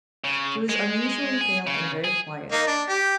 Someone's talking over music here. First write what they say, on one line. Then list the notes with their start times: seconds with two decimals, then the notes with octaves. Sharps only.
She was unusually pale and very quiet.
0.24 C#3
0.69 G#3
1.41 G#4
1.67 C#3
2.04 G#4
2.52 A#3 D#4
2.67 D4
2.89 G4